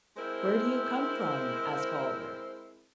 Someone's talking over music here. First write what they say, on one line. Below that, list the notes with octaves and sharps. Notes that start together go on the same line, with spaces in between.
"Where do you come from?" asked Calder.
G#3 C4 E4 A#4 C5